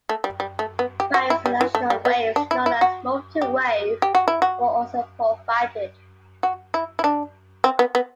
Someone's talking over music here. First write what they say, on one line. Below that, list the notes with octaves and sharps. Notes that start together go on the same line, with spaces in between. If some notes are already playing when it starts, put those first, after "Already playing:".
Various additional "waves" known as "multiwave" were also provided.
A3
G3
G3
A3
B3
G4
F#4
E4
G3
E3
A3
G3
B3
D4
E4
E4
F#4
G4
G4
F#4
E4
F#4
F#4
E4
E4
D4
C4
B3
B3